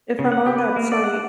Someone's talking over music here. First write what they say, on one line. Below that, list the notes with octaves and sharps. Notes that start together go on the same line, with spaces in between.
if I'm on that site,
C#3
F#5
G4
B4
A#3
D5
F#5